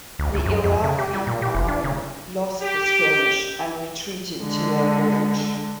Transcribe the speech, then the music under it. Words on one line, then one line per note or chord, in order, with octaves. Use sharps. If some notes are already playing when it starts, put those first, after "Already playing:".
The Ilafy army lost the skirmish and retreated to their village.
D2
D2
F#2
F2
C#3
G4
G3
A#2
G4
F1
D4
C#3
G4
D3 G#3